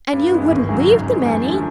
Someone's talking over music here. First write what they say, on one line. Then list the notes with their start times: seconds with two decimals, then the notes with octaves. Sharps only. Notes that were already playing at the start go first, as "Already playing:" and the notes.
And you wouldn't leave them any?
0.13 G2
0.32 E3 G#3 B3
0.50 G#1
0.69 F#2 C#3 F#3
0.88 G#2
1.08 E3 G#3
1.26 F#2
1.45 D3 F3 A3 C#4